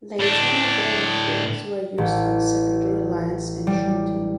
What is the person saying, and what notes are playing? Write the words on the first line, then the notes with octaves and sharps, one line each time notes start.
Later the machines were used on secondary lines and shunting.
A2 D4
A1
G3